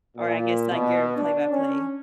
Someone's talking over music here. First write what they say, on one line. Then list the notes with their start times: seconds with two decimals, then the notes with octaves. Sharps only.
Or I guess like your play-by-play.
0.17 A#2
0.71 B2
1.17 D4
1.52 C#4